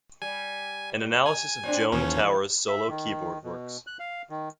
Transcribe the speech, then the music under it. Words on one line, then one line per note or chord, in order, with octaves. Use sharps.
An analysis of Joan Tower's solo keyboard works.
G3 G#5
G#5
A2 C4 D4
D#2 E3 F3 A3 C#4
E5
D#3
B2
F#6
F5
D#3